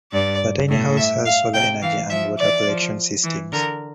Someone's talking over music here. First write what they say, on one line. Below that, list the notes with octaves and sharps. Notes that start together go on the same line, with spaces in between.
The Tiny House has solar energy and water collection systems.
G2 D5
A2
E5
F5
C3 G5
E3 F5
F3 E5
E3 D5
F3
E3
D3 A#4